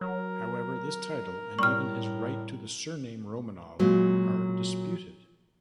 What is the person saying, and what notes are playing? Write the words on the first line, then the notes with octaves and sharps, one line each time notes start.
However this title, and even his right to the surname Romanov are disputed.
F#3 A#4
A2 G3 C#6 F6
A#2 F#3 G#3